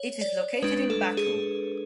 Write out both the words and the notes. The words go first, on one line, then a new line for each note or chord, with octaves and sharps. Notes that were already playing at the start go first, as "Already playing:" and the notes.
It is located in Baku.
Already playing: C#5
D5
G#3 D4 B4
A4
G#4